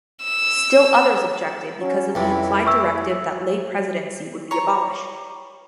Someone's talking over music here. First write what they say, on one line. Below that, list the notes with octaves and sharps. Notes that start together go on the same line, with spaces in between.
Still others objected because of the implied directive that lay presidency would be abolished.
E6
F#3 C#4
F2 C3 E3 E4
C#6 E6
C#5 A#5